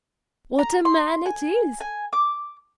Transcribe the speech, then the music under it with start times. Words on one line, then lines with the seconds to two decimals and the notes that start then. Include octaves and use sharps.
What a man it is!
0.59 A#5
0.85 C6
1.26 G#5
1.80 G#5
2.13 D6